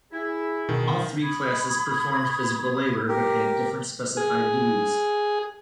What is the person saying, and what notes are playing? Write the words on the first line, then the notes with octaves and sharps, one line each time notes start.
All three classes performed physical labor, but had different specified duties.
E4 G#4
B2 D#3
B5 C#6 D#6 G#6
G4 A#4
G#4